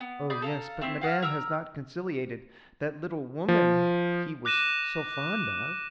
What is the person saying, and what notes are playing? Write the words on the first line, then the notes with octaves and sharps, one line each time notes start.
"Oh, yes; but Madame has not conciliated that little woman he was so fond of."
B3
G#4 D5 B5 G6
A4 F5 A#5
A3 C4 E4
F5 F#5 D#6 F6
A#4 A#5 E6
F3
D6 F#6 A#6 D#7 E7